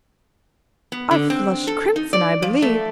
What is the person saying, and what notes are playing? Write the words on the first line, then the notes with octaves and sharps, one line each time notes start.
I flushed crimson, I believe.
B3
D3
C4
A4
D#4
D5
F3
A3